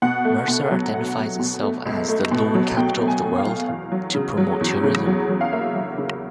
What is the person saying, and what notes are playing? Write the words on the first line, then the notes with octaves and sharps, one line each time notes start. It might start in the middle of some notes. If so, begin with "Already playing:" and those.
Mercer identifies itself as the "Loon Capital of the World" to promote tourism.
B2 F#5
A3
B2
F#3
A3 F#5
B2
B2
A3
C#2
A3
B2
F#3
B2 G5
A3
G#5
A3
F5
F#3
E2 F5
F#3
C#3
F#3
E2
C#3
F#3
F#3
F5
A#3 E5
F#3
C#3